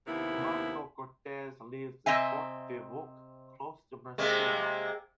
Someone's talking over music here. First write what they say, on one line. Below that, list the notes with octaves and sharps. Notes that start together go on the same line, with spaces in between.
Marco Cortes lives in Port-de-Bouc, close to Marseille.
D#2 C3 A#3 B3 E4
C3 C4 D#5 E5 G#5
C3 G#3 A#3